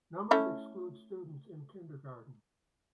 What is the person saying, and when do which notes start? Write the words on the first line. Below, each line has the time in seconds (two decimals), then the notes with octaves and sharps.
Numbers exclude students in kindergarten.
0.31 A3 C#4 E4